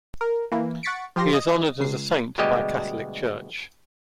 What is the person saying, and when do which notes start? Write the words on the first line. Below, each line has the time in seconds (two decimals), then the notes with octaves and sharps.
He is honored as a saint by Catholic Church.
0.21 A#4
0.52 E3 A#3
0.83 F#5 C#6 A6 B6 C#7 D7
1.16 F3 F4 G4 C6 A#6
1.33 D#5
1.80 C#2 C7
2.38 D2 B2 G3 G#3 G4 D#5